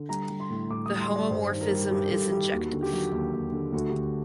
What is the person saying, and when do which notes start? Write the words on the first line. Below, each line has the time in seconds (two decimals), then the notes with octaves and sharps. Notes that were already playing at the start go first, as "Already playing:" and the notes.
The homomorphism is injective.
Already playing: D3
0.09 G3 A#5
0.30 G3
0.40 C6
0.50 A2
0.70 A2 D6
0.86 G3 D#6
1.01 C6
1.10 G3
1.16 D5
1.31 G2 C5
1.51 D#3
1.61 A#4
1.71 G3
1.91 G2 G4
2.11 G2 A4
2.31 D#3 G4
2.52 D#2 F#4
2.72 D3
2.83 G4
2.93 F#3
3.12 D#2
3.33 D#2
3.52 D3
3.72 D2 F#4
3.88 D3 G4